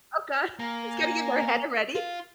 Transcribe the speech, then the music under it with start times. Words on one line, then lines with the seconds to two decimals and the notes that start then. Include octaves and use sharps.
Oh god. It's getting in my head already.
0.59 A#3 G#5 A#5
1.95 F4